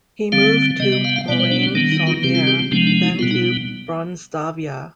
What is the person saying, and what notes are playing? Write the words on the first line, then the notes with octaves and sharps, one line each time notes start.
He moved to Morane-Saulnier then to Bronzavia.
D3 G3 C4 F5
C3 G3 B3 D#5
D#5
F5
F5
B2 G3 B3 D5
C5
D4
C4
D#3 G3 B3 D4
D#4
F4
C3 G3 C4 G4
F4
G4
C4
C3 F3 G#3 B3 D4
D4
D#4
B2 G3 B3 F4
D#4